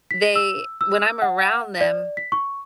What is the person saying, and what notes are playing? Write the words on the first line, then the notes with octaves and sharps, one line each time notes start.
they when I'm around them,
B6
E6
E6
F#5
D5
B6
C#6